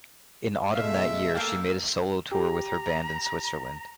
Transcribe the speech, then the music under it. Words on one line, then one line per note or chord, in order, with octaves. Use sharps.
In autumn that year, she made a solo tour with her band in Switzerland.
B2 G#3 A3 E5 F5
A#3 A4 F5 G5
G4 A#5